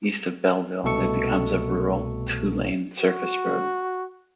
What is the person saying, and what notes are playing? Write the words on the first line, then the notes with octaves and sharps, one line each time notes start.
East of Belleville, it becomes a rural, two-lane surface road.
C2 B2 A3 A4 C#6 C#7
F#4